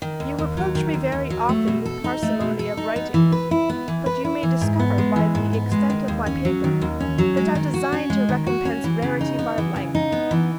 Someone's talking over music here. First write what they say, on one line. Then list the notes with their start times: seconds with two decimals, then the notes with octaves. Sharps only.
'You reproach me very often with parsimony of writing: but you may discover by the extent of my paper, that I design to recompence rarity by length.
0.02 D#3
0.20 D#2
0.38 D#2
0.57 F#3
0.75 D#3
0.94 D#2
1.12 D#2
1.30 F#3
1.49 A3
1.68 B2
1.86 A4
2.04 D#4
2.22 A3
2.40 B2
2.59 A4
2.77 D#4
2.96 B3
3.14 E3
3.32 B4
3.51 E4
3.69 B3
3.88 E3
4.06 B4
4.25 E4
4.43 E3
4.61 G#2
4.79 B3
4.98 G#3
5.16 E3
5.35 G#2
5.53 B3
5.71 G#3
5.90 D#3
6.08 D#2
6.26 C#4
6.45 F#3
6.64 D#3
6.82 D#2
7.00 C#4
7.18 F#3
7.37 G#3
7.55 D#3
7.74 F#4
7.92 C#4
8.10 G#3
8.29 D#3
8.47 F#4
8.65 C#4
8.84 E3
9.02 C#3
9.21 D#4
9.39 B3
9.58 E3
9.76 C#3
9.95 D#4
10.12 B3
10.31 E3